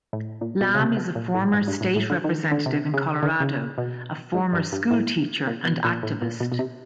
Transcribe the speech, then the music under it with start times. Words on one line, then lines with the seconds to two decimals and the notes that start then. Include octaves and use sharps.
Lamm is a former State Representative in Colorado, a former school teacher, and activist.
0.13 A2
0.41 A#2
0.60 B2
0.75 C#3
0.79 C3
0.97 B2
1.15 A#2
1.34 A2
1.54 G#2
1.68 G2
1.81 A2
1.96 A2
2.10 D3
2.24 D#3
2.51 D3
2.66 C3
2.94 C#3
3.23 D3
3.40 C#3
3.78 B2
4.34 G#2
4.53 G2
4.72 G2
4.90 A2
5.47 A#2
5.65 B2
5.84 A#2
6.03 A2
6.22 A#2
6.40 B2
6.52 B2
6.59 C3